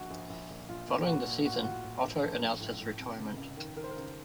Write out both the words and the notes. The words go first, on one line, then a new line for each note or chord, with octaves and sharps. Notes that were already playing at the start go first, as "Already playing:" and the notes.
Following the season, Otto announced his retirement.
Already playing: A#1 F#4
A#1
A#1
A#2
A#1 F4
A#2
A#2 F#4
A#2
A2 F#4
F4
A2 F#4
A2
A#1
A#1 A4
A#1
A2
A2
C3
C#2
C#2
D#3
D#3 A#4
C5
A#4
C#2